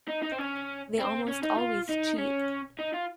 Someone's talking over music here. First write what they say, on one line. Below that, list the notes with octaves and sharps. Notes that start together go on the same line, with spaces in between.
They almost always cheat.
D#4
D#4
C4
C#4
C4
C#4
D#4
F4
D#4
C#4
D#4
F4